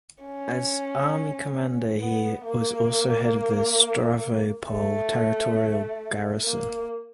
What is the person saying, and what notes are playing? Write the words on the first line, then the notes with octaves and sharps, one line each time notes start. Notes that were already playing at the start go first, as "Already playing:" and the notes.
As army commander he was also head of the Stavropol Territorial Garrison.
C#4
B3
A#3
A3
A#3